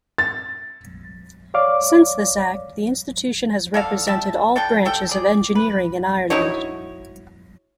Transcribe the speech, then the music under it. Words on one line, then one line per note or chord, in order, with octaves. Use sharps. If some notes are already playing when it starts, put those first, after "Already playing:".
Since this act the institution has represented all branches of engineering in Ireland.
A6
C#5 D5 F5 D6
D3 A4 F5
G3 E5 A5
D4 A4 G5 A5
G3 A4 G5
G#4 D5
B4
D#4 E4 F#4 C#5